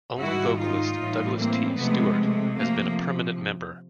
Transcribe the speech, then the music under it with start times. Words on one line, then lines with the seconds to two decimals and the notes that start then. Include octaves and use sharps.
Only vocalist Duglas T. Stewart has been a permanent member.
0.18 G#2 D#3 G3 E4 F#4
0.58 D#4 F4
0.98 A2 E3 G3
1.37 A#3 C4
1.77 C3 F3 G#3 A3 B3
2.17 A3
2.57 C3 F3 A3 A#3